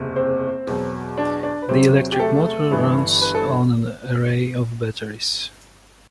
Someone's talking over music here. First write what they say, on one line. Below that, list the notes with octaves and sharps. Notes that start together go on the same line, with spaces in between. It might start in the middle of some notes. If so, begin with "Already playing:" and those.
The electric motor runs on an array of batteries.
Already playing: F#1 E2 C3
C4 C5
E2 B2 F#3
D4 D5
D4 D5
B4
E2 C3 F#3 C4 C5
G4
A3 A4
G1 G2 E3
B4
A4